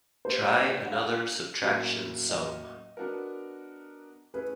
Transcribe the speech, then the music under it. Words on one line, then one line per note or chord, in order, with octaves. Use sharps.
Try another subtraction sum.
G3 A#3 D4 C5
C#5
D5
C#5
F#5
F5
A2 F#3 A#3 C#4
D#5
B3 D4 F#4 A#4
A3 C#4 E4 G#4 B4